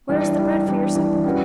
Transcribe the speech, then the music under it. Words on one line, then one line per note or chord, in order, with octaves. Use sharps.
"Where is the bread for your supper?"
E3 G3 D4
E3 G3 D4
E3 G3 D4
E3 G3 D4
G3 C#4 F#4 B4